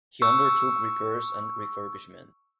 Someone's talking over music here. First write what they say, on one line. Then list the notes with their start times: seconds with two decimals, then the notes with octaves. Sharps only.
He undertook repairs and refurbishment.
0.22 C#6 E6